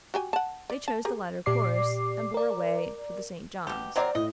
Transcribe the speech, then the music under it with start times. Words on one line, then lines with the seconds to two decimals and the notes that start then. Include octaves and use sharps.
They chose the latter course, and bore away for the St. John's.
0.14 F#4 G4 G#5
0.33 F#5 A5
0.70 D5
0.88 A5
1.05 G4 G#4 A#4
1.46 A#2 G4 D5 D6 C7
2.34 A#4 D5
3.67 B2 G4
3.96 F#3 C4 A#4 C5 D5
4.15 A2 D#5